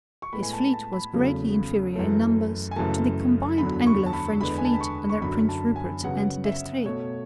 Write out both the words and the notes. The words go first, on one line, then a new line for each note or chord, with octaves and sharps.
His fleet was greatly inferior in numbers to the combined Anglo-French fleet under Prince Rupert and D'Estrees.
C#6
A2 G#3 B3 B5
G#5
A5
A5
B5
E2 C#3 F#3 A3
F#2 E3 A3
G#5
F#2 C#3 E3 A3 A5
E2 D3 F#3 B5
C#6
A5
B5
E2 D3 G#3 B3 B5
G#5
A5
B5
C#6
C#6
F#2 D3 F#3 B5
A5
G#5
C#3 F#3 B3 F#5
E5
B2 A3 C#5